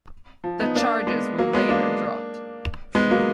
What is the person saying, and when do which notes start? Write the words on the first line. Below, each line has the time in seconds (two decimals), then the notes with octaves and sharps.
The charges were later dropped.
0.44 F3
0.60 B3 D#4
0.75 A#3 D4
1.07 G#3 B3
1.38 F#3 A#3
1.53 G#3 B3
1.69 A#3 D4
2.95 G#3 B3
3.11 F#3 A#3